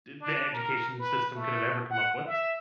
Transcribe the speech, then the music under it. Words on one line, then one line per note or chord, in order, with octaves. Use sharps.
s the education system could have ever come up with
D4
A#4
B4
A3
F#5
E5